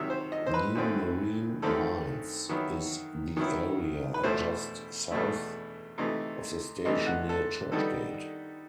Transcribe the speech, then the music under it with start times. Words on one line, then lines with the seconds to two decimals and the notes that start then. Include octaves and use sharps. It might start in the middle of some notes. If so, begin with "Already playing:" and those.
"New Marine Lines" is the area just south of the station near Churchgate.
Already playing: C3 D#3 F#3 E5
0.10 C5
0.32 D#5
0.46 C5
0.54 B4
0.75 F#2 D#3 A3 C4
1.62 F#2 D#3 A3 C4 A4
2.49 D#3 F#3 B3 E4
3.37 D#3 F#3 B3 E4
4.14 B4
4.23 E2 B2 A3 E4 C5
5.11 E2 B2 A3 E4
5.98 C3 E3 A3 D#4
6.85 C3 E3 A3 D#4 D#5
7.07 F#5
7.29 A4
7.72 D#3 G3 B3 D#4 A4